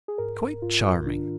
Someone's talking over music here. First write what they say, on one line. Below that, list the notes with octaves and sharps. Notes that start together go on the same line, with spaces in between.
Quite charming!
G#4
G#2 A#4
G#2 F4
D#3 D4